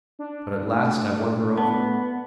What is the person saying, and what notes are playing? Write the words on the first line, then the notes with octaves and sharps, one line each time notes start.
But at last I won her over.
D4
A3
B3 A5